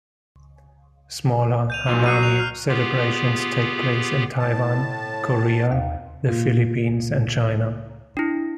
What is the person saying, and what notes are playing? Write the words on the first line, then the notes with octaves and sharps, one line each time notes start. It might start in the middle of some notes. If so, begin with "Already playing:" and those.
Smaller "hanami" celebrations take place in Taiwan, Korea, the Philippines, and China.
G6 D#7 F7
A#2 F#3
F#3 F#6 C7 D#7
F7
F6 C7
B3 F4 G4 G#4
A2 A5
D#2 F5
A#2 F4
D4 E4